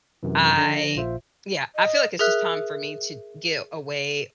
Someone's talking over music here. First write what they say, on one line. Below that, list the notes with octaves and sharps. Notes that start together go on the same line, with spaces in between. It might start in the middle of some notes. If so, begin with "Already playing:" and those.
I Yeah, I feel like it's just time for me to get away
F#2 C3 E3
D3 F3 D4 A#6
A#1 A#2 F4 C5 E5
D#5
G#4 A#4 E5 F#6